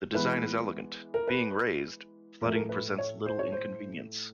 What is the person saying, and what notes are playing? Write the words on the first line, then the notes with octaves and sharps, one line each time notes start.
The design is elegant: being raised, flooding presents little inconvenience.
E3 G#3 B3 B4
A#4
B4
A2 F3 A3 A#4
A#4
B4
C#5
C5
C#5
C5